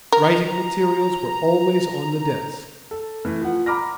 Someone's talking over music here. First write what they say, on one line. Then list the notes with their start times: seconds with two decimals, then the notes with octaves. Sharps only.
Writing materials were always on the desk.
0.12 A#4 A#5
2.91 A4
3.25 E3 A3
3.41 F3 F#5
3.66 A#5 B5 D6 F6 A#6